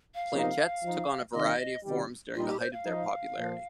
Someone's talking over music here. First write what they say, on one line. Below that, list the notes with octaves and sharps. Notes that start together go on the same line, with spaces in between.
Planchettes took on a variety of forms during the height of their popularity.
F5
C3 F3 A#3 D#4
F3 D#4
C3 D#3 A#3 D#4 D#5
C3 D#3 G3
A#2 G3 D#4 F4
G4
C5
F5
F3 D#4
A#2 F3